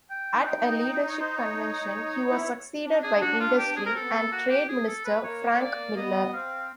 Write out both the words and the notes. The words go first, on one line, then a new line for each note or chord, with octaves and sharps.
At a leadership convention, he was succeeded by Industry and Trade Minister Frank Miller.
G5
D#4
F#5
G5
D#4
G5
C#5
C5
C#5
E4
D4
G#4
F#4
F4
G4
C4 G#4
A#4
A4
B3
A4
A#3
F#4
G4
G#4
A4
B4
A#3 C#5
C#5
D5
B3 D#5
C4 F5